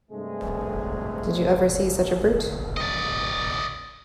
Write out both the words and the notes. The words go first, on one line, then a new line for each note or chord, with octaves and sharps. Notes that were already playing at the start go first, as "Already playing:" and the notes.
Did you ever see such a brute?
G2 C3 G#3 A3
D5 D#5